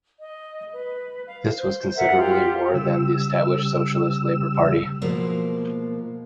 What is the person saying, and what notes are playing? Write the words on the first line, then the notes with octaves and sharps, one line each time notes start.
This was considerably more than the established Socialist Labor Party.
D#5
B4
F5
C5
A#4 E5 F#5
F4 G4
C#3 G3 E6
B2 F3 G#3 A#3